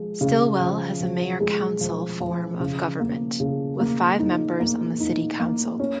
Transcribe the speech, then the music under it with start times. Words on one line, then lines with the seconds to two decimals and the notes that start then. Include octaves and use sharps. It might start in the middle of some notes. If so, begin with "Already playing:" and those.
Stilwell has a mayor-council form of government, with five members on the city council.
Already playing: F3 G#3
0.21 C#3
0.60 F3
1.00 F3
1.40 G#3
1.81 F3
2.20 F3
2.60 C#3
3.00 A#3
3.40 C#3
3.80 A#3
4.19 D#4
4.60 A#3
5.00 D#4
5.39 A#3
5.80 C#4